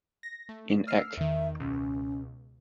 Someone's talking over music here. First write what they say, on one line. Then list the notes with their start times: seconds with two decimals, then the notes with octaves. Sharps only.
In Eq.
0.23 A#6
0.49 A3
0.87 E6 F6 C7
1.17 E2 D#3 E5
1.60 C#2 B2 C#4